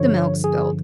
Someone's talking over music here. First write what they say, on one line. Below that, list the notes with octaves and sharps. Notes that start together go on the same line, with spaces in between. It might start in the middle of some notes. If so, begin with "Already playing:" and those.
the milk spilled.
Already playing: G2 D3 F3 C#5
G#4